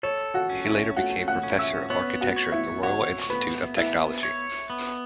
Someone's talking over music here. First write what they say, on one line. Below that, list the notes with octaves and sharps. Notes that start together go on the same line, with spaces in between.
He later became professor of architecture at the Royal Institute of Technology.
A4 C#5
F#4 F#5
C#4
E4 E5
A3 F#4 F#5
F#5 F#6
C#4
E5 E6
B3 C#5 C#6
F#4 F#5
C#5
E4 E5
F#4 C#5 F#5
C#6
B3 B4 B5
B3 E4 E5
C#5
B3